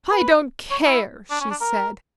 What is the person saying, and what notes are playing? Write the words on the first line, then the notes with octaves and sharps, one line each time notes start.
"I don't care," she said.
B4
C#5
E4
D4
C#4
D4
A#4